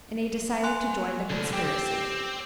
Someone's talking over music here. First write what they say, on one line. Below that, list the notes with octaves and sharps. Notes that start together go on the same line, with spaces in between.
And they decided to join the conspiracy.
G#5 C6 F#6
C2 D3
C4 G4